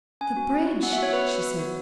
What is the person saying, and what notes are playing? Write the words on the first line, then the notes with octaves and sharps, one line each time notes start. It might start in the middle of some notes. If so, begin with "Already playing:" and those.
"The bridge!" she said.
C#4 G#5
F#4
C#4
F#4
B3 F#5
E5
F#4 C#5
B3 B4
F#4
B3
F#4